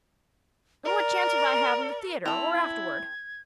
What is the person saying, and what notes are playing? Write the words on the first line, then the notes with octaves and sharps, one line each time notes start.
And what chance would I have in the theatre or afterward?
A#4 D5
C4 E4 A4 F7
G#6